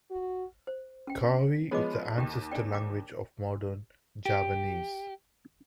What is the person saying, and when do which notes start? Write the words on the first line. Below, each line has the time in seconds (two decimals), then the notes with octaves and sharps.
Kawi is the ancestor language of modern Javanese.
0.11 F#4
0.67 C5
1.07 C#4 G5
1.71 F3 G#3 B3 C#5 D#5 D6
2.18 D#2 G4 G5
2.51 D4 D5 G5
2.73 G5 D6
4.26 G4